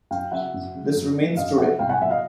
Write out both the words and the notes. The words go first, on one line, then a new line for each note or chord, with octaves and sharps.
This remains today.
F#2 F5 G5
C#3 F#3 E5 F#5
F#2
C#3 F#3
F#2
C#3 F#3
F#2 D#5 F5
C#3 F#3 E5 F#5
C2 F5 G5
F#5 G#5
A#2 F#3 E5 F#5
D#5 F5